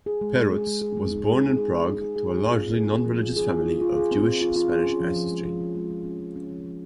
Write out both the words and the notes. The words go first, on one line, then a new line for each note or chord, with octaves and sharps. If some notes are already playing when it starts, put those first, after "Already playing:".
Perutz was born in Prague to a largely non-religious family of Jewish-Spanish ancestry.
G#4
G#3
G#3
G#4
G#3
G#4
G#3
D#4
G#4
D#4
G#4
G#3
D#4
G#4
G#4
G#4
F4
C4
G#4
C4
F3
F4
G#4
F4
F4
F4
G#4
C4
G#4
F4
F4
G#4
C#4
F3
F3
G#3
F3
F3
G#3
F3
C#4
F3
C#4
F3
F3